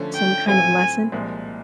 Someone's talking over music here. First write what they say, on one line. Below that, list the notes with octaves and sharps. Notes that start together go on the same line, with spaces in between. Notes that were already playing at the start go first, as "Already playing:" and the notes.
some kind of lesson?
Already playing: D3 F3 A3 C#4
G5
A2 F#3 A3 C4 F4 G#5
C2 A#2 F3 G#3